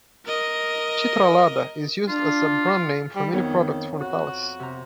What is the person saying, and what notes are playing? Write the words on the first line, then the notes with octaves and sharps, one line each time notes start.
"Chitralada" is used as the brandname for many products from the palace.
A#4 D#5
D4 F4
G3
F2 D#3 B3 C#5
F#4
C3 A#5